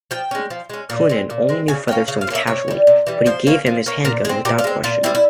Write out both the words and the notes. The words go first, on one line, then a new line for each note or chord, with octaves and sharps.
Coonan only knew Featherstone casually, but he gave him his handgun without question.
F3 G5
G#3 C#4
F3
G#3 C#4
A#2
G#3 C4
A#2
G#3 C4
C#3 G#5
F3 A#3 C#4 G5
C#3 F5
F5
F3
A#3 C#4 E5
C3 C#5
E3 G3
C3
E3 G3
F3 C5
A#3 C#4
F3
A#3 C#4
A#2 A#4
G#3 C4 G#4
A#2 G4
F4
G#3 C4
A#2 F4
G3 C4 E4
E4